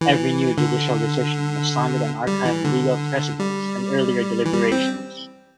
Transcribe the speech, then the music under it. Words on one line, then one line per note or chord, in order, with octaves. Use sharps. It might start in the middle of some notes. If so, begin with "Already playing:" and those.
Every new judicial decision was founded on archived legal precedents and earlier deliberations.
E3
D3
G3
E3
D3
G3
E3
G3
C4